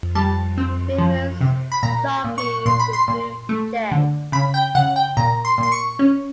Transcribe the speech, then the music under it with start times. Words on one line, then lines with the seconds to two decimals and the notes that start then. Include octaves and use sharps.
Famous jockeys include J.
0.15 G3 A5
0.58 C4
0.98 F3
1.41 C3
1.72 B5
1.83 A#2 A#5
2.24 A#2
2.38 C#6
2.66 A#2 C6
2.80 B5
2.93 C6
3.08 A#2
3.49 A3
3.92 D3
4.32 C#3 B5
4.54 G5
4.75 C#3 F#5
4.96 G5
5.17 A#2 A#5
5.45 C6
5.58 A#2
5.63 C6
5.72 C#6
5.99 C#4